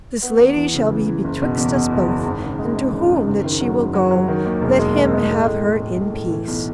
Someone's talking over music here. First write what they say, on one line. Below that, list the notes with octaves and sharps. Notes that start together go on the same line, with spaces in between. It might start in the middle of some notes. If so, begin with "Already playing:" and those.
This lady shall be betwixt us both, and to whom that she will go, let him have her in peace.
B3
E2
E3
C#3
E3
E3
F#1
B2
E2
B2
F#1
E2
G#1
C#3
G#3
G#3
G#1
F#2
F#1
D#3
F#3
F#1
F#3
F#3
D#3
D#2
E1
G#3
D#3
G#3
A2
A2
G#3
A2
A2
A2
E3
B1